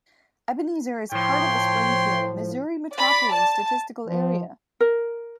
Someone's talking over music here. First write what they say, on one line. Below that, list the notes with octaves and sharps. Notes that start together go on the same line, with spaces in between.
Ebenezer is part of the Springfield, Missouri Metropolitan Statistical Area.
A2 F3 C#5 G5 C6
D5 B5
A5
F3
A#4